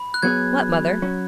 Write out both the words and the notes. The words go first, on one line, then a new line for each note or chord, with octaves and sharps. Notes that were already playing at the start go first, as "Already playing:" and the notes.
"What, mother?"
Already playing: B5
F#6
F#3 B3 G#4 C#5 G#6
F#3 C#4 F#4